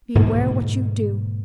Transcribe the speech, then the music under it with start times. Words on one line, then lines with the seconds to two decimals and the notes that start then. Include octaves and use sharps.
Beware what you do.
0.15 G#2 B2 D3 A#3